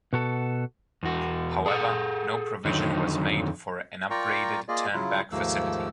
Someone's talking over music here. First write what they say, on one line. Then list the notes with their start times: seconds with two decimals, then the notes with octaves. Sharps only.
However no provision was made for an upgraded turnback facility.
0.13 B2 F#4 A4
1.03 E2 F#4
1.66 G#4 A4 F#5
2.65 F2 D3 D#3 F#3 D#4
4.10 F4 A#4 D5 G5 A#5 C#6
4.68 A#3 F4 G#4 D5 D#5
4.94 C#3 F#3 E4 F4
5.32 D#2 G#2 F3 A3 A#3 E6